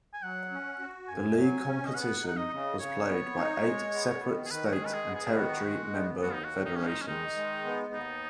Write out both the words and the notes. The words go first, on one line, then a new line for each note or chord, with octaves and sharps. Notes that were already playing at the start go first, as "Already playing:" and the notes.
The league competition was played by eight separate state and territory member federations.
G#5
F#3 F#5
C#4
F#4
F#2 G#5
F#3
C#4
D#5
B3 F#5
D#4 F#5
D#5
C#3
C#3 C#5
B3
D#4
G#3
B3
D#3
G#4
D#3 B4
F#4
G#4
G#3
B4
G#4
B3
G#4
D#3 F#4
G#3
B3
D#2 F#4
D#4
F#4
D#3
D#4
G#3 C#4
D#4
C#4
D#3 D#4
G#3
B3
D#2 D#4